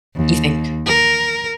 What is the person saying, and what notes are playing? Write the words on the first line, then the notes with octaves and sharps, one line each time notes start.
You think?
D#2
A#4